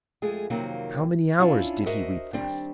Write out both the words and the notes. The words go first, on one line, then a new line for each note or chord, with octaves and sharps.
How many hours did he weep thus?
F2 G#3 A3 G#4
F2 C3 D#3 F#3 A#3 C4
C#4 D4 E4 F4
F#4 A#4 C5 D#5 E5
D#3 F3 G3 C4 D4